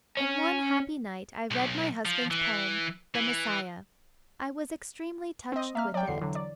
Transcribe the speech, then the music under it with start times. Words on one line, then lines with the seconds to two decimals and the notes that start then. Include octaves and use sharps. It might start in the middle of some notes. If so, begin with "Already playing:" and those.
In one happy night I read my husband's poem, 'The Messiah.' I was extremely touched with it.
0.17 C#4
1.51 B1
2.05 F3
2.30 E3
3.15 E3
5.52 C4 D#5
5.75 A#3 E5 F6
5.94 F#3 D5 G5
6.07 G1 E2 D3 C7
6.21 D3 E3 F#3
6.35 D5